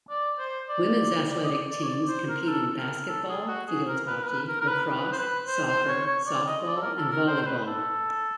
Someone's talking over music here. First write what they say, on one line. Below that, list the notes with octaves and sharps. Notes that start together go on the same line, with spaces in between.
Women's athletic teams compete in basketball, field hockey, lacrosse, soccer, softball and volleyball.
D5
C5
D5
D5
D#5
D5
D5
C#5
D5
C5
A#4
A#4
A4
A#4
A4
A4
G#4
F#4
G#4
A#4
B4
A#4
B4
A#4
A#4
B4
B4
C5
B4
C5
C5
C#5
C#5
D5
D#5
D5
A4
A#4
A4
A#4
C5
C5
B4
A4